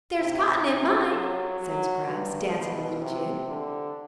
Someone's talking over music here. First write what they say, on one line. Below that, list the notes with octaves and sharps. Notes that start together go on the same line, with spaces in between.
"There's cotton in mine," said Scraps, dancing a little jig.
C3
F#3
F#3
G2
B2
C3
D3